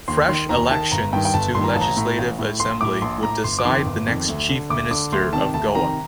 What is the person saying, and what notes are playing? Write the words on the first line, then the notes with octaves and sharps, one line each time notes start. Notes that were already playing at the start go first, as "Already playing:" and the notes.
Fresh elections to Legislative Assembly would decide the next Chief Minister of Goa.
D#2 C6
D#3 C6
D#2 A#5
D#3 A5
G1 A#5
G2 D#3 G5
G5
G1 A5
G2 D#3 C6
A#5
A1 A5
A#5
A2
A1
A2
A#1 C6
A2 D6
A#1 C6
A2 A#5
G1 C6
D6
F2 D#3 C6
G1
F2 D#3
D2
D3
D2 D6
D3 D6
D2 C6
C3 D#3 A5
D2 A5
C3 D#3 A#5